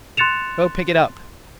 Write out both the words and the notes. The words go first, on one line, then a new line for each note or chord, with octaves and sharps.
Go pick it up!
C6 F#6 A6 C#7 E7 F7